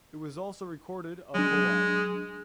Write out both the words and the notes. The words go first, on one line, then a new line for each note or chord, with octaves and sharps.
It was also recorded of Hawaii.
F#3 G#3 D4